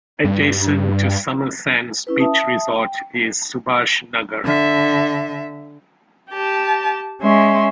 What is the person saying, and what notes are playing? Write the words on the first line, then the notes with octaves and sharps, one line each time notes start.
Adjacent to summer sands beach resort is subhash nagar.
G2
C#4 E4 B4
E5 A5 D#6
G5
D3 E5
G4 A5
G#3 C#4 E5 C6